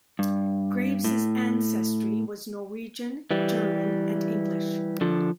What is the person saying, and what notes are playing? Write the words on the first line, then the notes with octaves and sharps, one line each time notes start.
Graves' ancestry was Norwegian, German, and English.
G2
A2
E3 G3
D3 F3